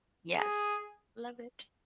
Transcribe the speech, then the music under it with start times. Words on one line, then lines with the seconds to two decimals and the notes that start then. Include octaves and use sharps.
yes, love it.
0.37 G#4